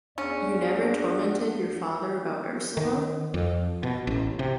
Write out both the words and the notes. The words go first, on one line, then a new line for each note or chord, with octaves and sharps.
You never tormented your father about Ursula?
E2 C#4 D4 D5
D#3
F2
B2
A1
C3